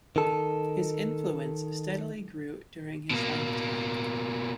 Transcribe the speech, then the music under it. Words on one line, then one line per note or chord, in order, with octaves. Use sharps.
His influence steadily grew during his lifetime.
D#3 A4
B2 A#3